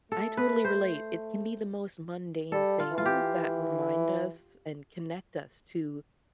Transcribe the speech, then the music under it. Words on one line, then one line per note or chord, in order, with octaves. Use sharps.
I totally relate. It can be the most mundane things that remind us and connect us to
A3 A4
B4
C5
G3 A4
F4
E3
F4
G4